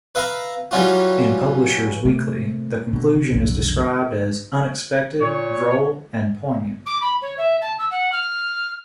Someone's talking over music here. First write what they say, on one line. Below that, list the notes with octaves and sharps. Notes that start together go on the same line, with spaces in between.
In "Publishers Weekly", the conclusion is described as "unexpected, droll, and poignant".
B4 E5 F5 A#5 B5
E3 F#3 G3 C#4 F4 F#4
C3 A3 A#3 C4
B2 D3
C#3
F1 B1 D3
A#2 C#5
D6
B5
C#5
E5
A5
E6
F#5
F6